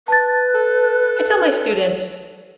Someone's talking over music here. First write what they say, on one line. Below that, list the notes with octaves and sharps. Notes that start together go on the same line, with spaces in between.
I tell my students,
B4 A5 A6
A4 A5